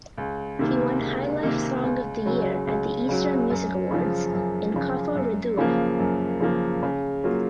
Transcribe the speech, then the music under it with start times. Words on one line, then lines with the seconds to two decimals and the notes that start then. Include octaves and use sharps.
He won Highlife Song of the Year at the Eastern Music Awards in Koforidua.
0.18 C#2
0.59 C3 D#3 A#3
1.01 C#2
1.43 C3 D#3 A#3
1.83 C#2
2.26 C#3 F#3
2.67 C#2
3.09 C#3 F#3
3.50 F#2
3.91 C#3 F3
4.33 F#2
4.74 C#3 F3
5.15 F#2
5.57 C#3 F3 A#3
5.99 F#2
6.40 C#3 F3 A#3
6.83 C#3
7.24 F#3 A#3 F4